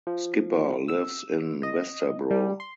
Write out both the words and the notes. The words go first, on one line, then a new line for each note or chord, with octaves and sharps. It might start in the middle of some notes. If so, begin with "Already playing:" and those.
Skipper lives in Vesterbro.
F3
E6
D#5
G3
C6